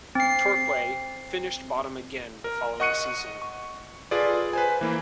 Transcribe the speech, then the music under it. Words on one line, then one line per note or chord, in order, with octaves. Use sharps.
Torquay finished bottom again the following season.
C4 C7
A#4
D#5 F#5 C#6 F#6 C#7 D#7
C#6
F4 G#4 A4 B4 D5
B4 C5 G#5
E3 A#3 E4